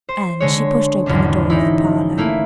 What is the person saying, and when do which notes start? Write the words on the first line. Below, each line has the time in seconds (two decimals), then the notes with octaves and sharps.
And she pushed open the door of the parlour.
0.09 C5
0.40 D3 G#3 C#5
1.06 G#1 E2 D3 C#4 D4
1.50 G#3 D#4 E4
2.18 A3 A#3 E4